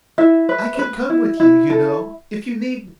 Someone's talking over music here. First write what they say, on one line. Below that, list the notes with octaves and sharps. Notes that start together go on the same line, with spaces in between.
I can come with you, you know, if you need me.
E4 E5
B4
B4
E4
E4
A4